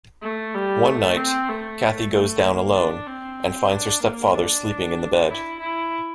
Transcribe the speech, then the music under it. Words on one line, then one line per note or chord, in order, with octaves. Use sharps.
One night, Cathy goes down alone, and finds her stepfather sleeping in the bed.
A3
G3
A3
C4
A3
A3
A#3
D4
C4
D4
A#3
D4
E4
E4